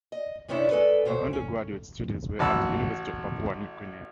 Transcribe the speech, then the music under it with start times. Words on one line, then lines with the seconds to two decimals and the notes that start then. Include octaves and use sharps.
Her undergraduate studies were at the University of Papua New Guinea.
0.12 D#5
0.48 F#2 C3 D#3 C#4 D4 E4
0.70 G#3 A4 B4 D5
1.05 D2 B2 C5 C#5
1.33 C#4
2.39 A1 F#4 A5 B5 E6